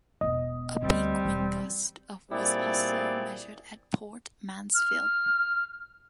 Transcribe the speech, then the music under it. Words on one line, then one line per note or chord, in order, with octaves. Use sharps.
A peak wind gust of was also measured at Port Mansfield.
E1 B3 D#5
D2 G3 C4
E1 E3
A#2 G3 C4 E4 G#4 D5
F6